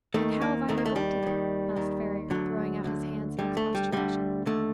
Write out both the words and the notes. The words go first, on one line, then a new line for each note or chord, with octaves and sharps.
"And how have I neglected it?" asked Ferrier, throwing out his hands in expostulation.
D#2 D#3 A3
A#3
D#2 D#3 A3
A#3
A3
G3
D#2 D#3
D#2 D#3
D2 D3 F#3
D2 D3
D2 D3 G3
A3
G3
D2 D3 G3
D#2 D3 A3